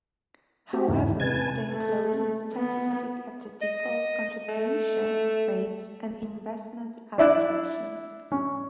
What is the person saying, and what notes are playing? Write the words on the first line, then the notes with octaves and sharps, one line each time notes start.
However, the employees tend to stick at the default contribution rates and investment allocations.
C4 F#4 G4
E2 G#2 C#3 D#4 E4
C3 B4 G#5 A5 G#6
A3
B3
D#5
A3
D4 E4 D5 F#6
C#4